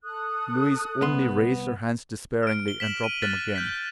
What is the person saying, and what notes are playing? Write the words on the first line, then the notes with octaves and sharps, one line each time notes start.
Louise only raised her hands despairingly and dropped them again.
A4 D#6 F#6
C2 B3 C6
F6 D7
G7
B6 E7 F#7
D#7
F6 F#6 A6 B6 F#7
F6 G6 B6